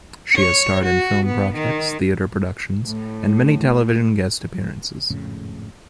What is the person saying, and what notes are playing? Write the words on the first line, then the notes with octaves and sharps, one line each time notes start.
She has starred in film projects, theatre productions and many television guest appearances.
C#5
F#4
B3
D#3
A2
G#1 F2 A2 C#3